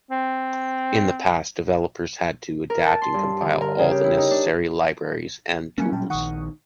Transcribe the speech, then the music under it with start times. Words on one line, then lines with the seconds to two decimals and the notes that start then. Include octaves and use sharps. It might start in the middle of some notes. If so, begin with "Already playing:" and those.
In the past, developers had to adapt and compile all the necessary libraries and tools.
0.11 C4
2.70 A#4
2.86 A5
3.02 C6
3.14 G2
3.41 D3
3.61 A#4
3.79 C#3
3.91 G4
4.04 E4
4.18 D#4
4.31 D4
5.78 F#3 G3 A#3 C#4 G#5 C#7
5.92 A#2 G5 A5
6.10 A#1 D#3 F#5 C#6 D#6